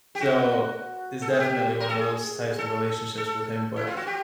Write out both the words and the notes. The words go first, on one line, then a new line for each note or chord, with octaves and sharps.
So, it's definitely one of those types of relationships with him, but,
G4
F#4
A4
G#4
G4
A#4
A4
G#4
A4
A4
E4
F4
F#4
G4